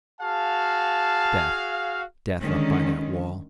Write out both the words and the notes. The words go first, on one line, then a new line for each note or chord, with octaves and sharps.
Death, death up by that wall.
F#4 G#4 F5 A5
D3 D#3 G#3 C#4